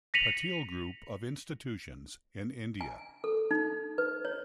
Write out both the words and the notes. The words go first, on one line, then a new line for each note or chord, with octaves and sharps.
Patil Group of Institutions in India.
A#6 B6 C#7 D#7 F7 F#7
G#5
A4
D#4
B4
C#5